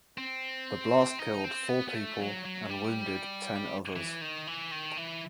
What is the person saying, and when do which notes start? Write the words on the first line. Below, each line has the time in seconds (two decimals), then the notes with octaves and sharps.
The blast killed four people and wounded ten others.
0.18 C4
1.19 D#4
1.44 C4
1.69 B3
1.88 B3
1.95 A3
2.19 F#3
2.45 F#3
2.69 G3
3.96 E3
4.21 D#3
4.47 E3
4.71 D#3
4.97 E3